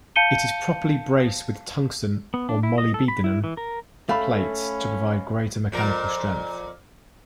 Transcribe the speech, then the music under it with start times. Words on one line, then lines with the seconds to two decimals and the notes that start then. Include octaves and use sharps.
It is properly braced with tungsten or molybdenum plates to provide greater mechanical strength.
0.16 F5 A5 G6 C#7 D#7 G7
2.34 B3
2.49 D4
2.63 E4
2.78 D#5
2.94 A4
3.08 B5
3.24 E4
3.44 E3
3.57 A#4
4.09 A3 C#4 F5 B5
5.72 F2 A#2 A#4